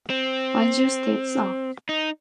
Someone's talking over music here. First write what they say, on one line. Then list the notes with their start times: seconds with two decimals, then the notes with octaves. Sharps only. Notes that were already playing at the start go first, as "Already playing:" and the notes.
Banjo Steps Out.
0.10 C4
1.89 D#4